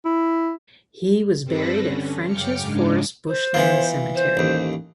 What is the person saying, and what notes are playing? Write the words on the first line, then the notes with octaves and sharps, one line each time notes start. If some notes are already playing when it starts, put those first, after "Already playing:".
He was buried at Frenchs Forest Bushland Cemetery.
E4
G2 G3 C4 A4 B4 A#6
D3 C#4
F#2 C#3 G5 D6 F6 C#7
G#2 C#3 G#3 D4
C5
E3 B3 F4
C5
A1 D#2